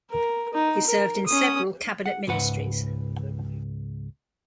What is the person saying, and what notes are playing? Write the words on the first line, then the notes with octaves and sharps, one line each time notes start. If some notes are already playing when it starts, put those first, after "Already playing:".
He served in several cabinet ministries.
A#4
D#4
A#4
C#4 D#6
F#5
C#2 G#2 B4 F#5